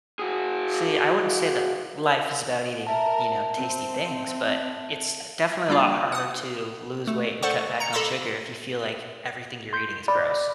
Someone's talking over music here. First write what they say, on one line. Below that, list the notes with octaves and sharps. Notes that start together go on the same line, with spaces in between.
See, I wouldn't say that life is about eating, you know, tasty things, but it's, uh, definitely a lot harder to lose weight and cut back on sugar if you feel like everything you're eating is gross.
F#4 G#4
A#4 E5 A5
C4
G3 A#3 D4 F4
F#5 D#6
A3
A4 C5 D5 F#5 C#6
A#5 C#7
A4 D#5 B5 C6 D6 E6
C6 G6
D5 B5